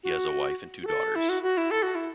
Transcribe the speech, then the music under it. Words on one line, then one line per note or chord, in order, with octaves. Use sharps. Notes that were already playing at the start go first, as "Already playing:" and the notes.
He has a wife and two daughters.
F#4
F#4
A4
E4
F#4
F#4
E4
A4
F#4
E4